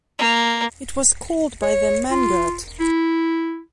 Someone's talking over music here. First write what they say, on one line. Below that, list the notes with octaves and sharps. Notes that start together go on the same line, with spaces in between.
It was called by them "mangurt".
A#3
C#5
F4
E4